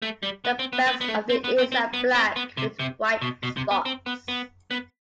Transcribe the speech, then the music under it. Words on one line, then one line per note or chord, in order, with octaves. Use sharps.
The backs of the ears are black with white spots.
A3
G3
B3
C4
B3
B3
B3
A3
C4
B3
C4
C4
B3
C4
B3
C3
C3
B2
B2
C3
B3
C4
B3
B3
B3